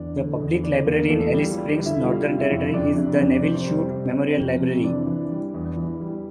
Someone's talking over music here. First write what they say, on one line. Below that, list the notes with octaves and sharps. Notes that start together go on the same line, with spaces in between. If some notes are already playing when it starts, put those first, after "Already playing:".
The public library in Alice Springs, Northern Territory is the Nevil Shute Memorial Library.
Already playing: E2 D4 D5
D3
E2
D3 D4 D5
E2 A#3 A#4
E2 A3 A4
G3 G4
F3 F4
G3
G3 G4
D3
E4 E5
G3 F4 F5
C3
E4 E5
F2
F2 D4 D5
C3
F2
D5
C3 C4 C5
G3
C3
C3
F2
C3
E3 D4 D5
E3
G3
E2
E3
G3